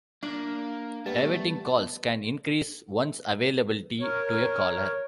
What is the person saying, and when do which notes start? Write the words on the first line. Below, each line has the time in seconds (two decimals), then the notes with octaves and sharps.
Diverting calls can increase one's availability to a caller.
0.23 A#3 D4
1.06 G3 A3 B3 A5
4.01 A#4 C#5